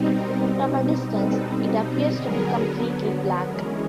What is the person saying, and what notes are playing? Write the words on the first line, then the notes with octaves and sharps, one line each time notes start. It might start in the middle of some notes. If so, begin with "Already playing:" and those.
From a distance, it appears to be completely black.
Already playing: B2 G3 C4 D#4
A#4 C5
B2 G3 C4 D#4
A4 B4
D3 F#3 B3 G#4 A#4
E3 G#3 C#4 G#4 A#4